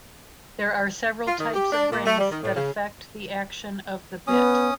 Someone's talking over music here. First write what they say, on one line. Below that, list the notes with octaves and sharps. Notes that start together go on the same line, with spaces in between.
There are several types of rings that affect the action of the bit.
F4
D#3
G4
D4
A#2
A3
G3
D#3
A2
C#3
B3 C#4 D#6